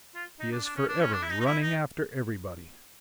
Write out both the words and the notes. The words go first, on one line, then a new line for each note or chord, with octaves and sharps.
He is forever running after everybody.
F4
D#4
D4
D4
C#4
D4
C#4
D4
E4
D#4
D#4
E4
D#4